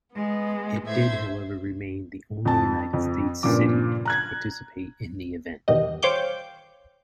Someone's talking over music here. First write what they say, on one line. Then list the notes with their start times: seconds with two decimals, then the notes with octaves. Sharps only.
It did, however, remain the only United States city to participate in the event.
0.13 G#3 B3
0.86 A2 C5 E5 G#6
2.45 F2 A5
2.93 F2
3.43 G2 A#2 C#3 F3 D6
4.05 A#5 F#6 G#6
5.68 E2 B2 D#3 G3 D#5
6.02 C5 C#5 F5 G5 D6 G6